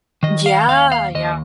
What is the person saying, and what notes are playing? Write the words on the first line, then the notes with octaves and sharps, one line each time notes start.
Yeah, yeah.
D#3 D#5
F5
D#2 F5
F5
D#2 D#5